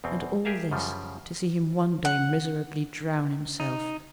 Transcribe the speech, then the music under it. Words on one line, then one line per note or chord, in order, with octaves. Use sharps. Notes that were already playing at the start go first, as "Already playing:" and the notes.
And all this to see him one day miserably drown himself!
E2 B2 C4
G4 G#4 A#4 E5 F5 A5
F#2 C#3 F3 G3
F#5
D#4